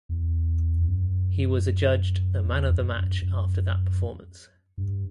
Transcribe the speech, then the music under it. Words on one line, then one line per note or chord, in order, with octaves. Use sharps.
He was adjudged the man of the match after that performance.
E2
E2
F#2
E2
F#2
F#2
F#2
G2